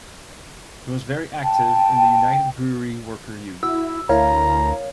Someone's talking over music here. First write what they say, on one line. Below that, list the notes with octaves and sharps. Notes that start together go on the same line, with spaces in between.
He was very active in the United Brewery Worker Union.
G5 A5
E4 F#4 E6
D2 E4 A#4 C#5 F5 A#5